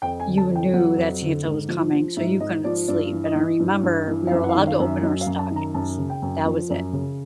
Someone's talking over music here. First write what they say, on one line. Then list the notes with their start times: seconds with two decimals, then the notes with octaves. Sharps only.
you knew that Santa was coming so you couldn't sleep, and I remember we were allowed to open our stockings. That was it.
0.02 F2 G5
0.20 G#5
0.26 D3
0.38 A5
0.49 F2
0.56 G5
0.74 F#3 F#5
0.97 F2
1.22 D3
1.45 G#2
1.68 F3
1.93 F3
2.17 G#2 E5
2.40 G#2 D#5
2.64 F3 D5
2.88 G2 D5
3.12 E3
3.24 D#5
3.36 E3
3.60 G2
3.83 G2
4.08 E3
4.27 F5
4.31 F#2 E5
4.44 F#5
4.49 F5
4.55 D#3
4.67 F5
4.80 F#2
4.85 E5
5.03 F#3 D#5
5.21 F5
5.26 F#2
5.39 A5
5.51 D#3
5.56 A#5
5.74 F#2 A5
5.98 C#3
6.10 G5
6.22 F#2
6.46 F3
6.70 F#2
6.93 C#3